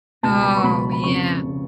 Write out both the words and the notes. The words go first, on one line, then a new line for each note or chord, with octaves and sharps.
Oh, yeah.
C#2 B2 A5
B5
C#6
C#2 B2 B5
B5
F1 F2 C#3 C#6
C#3